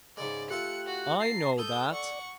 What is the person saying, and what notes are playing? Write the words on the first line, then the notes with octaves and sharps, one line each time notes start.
"I know that."
G#2 C#3 G#3 D5
A3 F4 G4 A4 F#6 C#7
F#4
A5 A#5 C7
A4 D#6 G6
D5 F#5 C#6